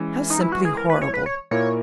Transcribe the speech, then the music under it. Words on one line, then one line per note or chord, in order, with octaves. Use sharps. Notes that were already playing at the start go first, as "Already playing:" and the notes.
'How simply horrible!'
Already playing: E3 G#3 C#4
D#4
E4
F#4
G#4
A#4
B4
C#5
B4
C#5
A#2 A#3 E4 A#4 C#5